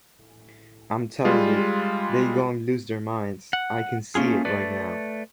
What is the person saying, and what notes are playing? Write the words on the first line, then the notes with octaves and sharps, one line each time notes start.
I'm tellin' you, they gon' lose their minds; I can see it right now.
G3 G#3 F4
F#5
A3 A#3 C#4 F4 G#4
A3 B4 D5